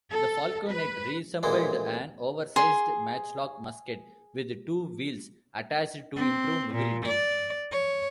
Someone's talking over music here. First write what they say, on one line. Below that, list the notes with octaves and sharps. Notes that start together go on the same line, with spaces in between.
The falconet resembled an oversized matchlock musket with two wheels attached to improve mobility.
A4
B4
A1 A#2 E3 G#3
G#4 C6
C4
A#2
D5
C#5